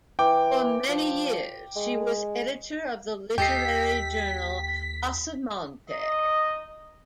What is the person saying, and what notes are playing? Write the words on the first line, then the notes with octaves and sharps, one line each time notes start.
For many years she was editor of the literary journal "Asomante".
E3 G5 D6
F3
G#3
D#2 G4 A4 D#5 G5 B6 C7
D#4 D#5